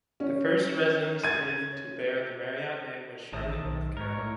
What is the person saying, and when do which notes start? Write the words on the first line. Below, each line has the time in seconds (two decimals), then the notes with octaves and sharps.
The first Residence Inn to bear the Marriott name was in Charlotte, North Carolina.
0.20 C#4
1.24 G#6 A6 D#7
3.33 A1 D#3 A5 D#6
3.59 B1
3.97 G#2 A#4 C#5
4.18 A2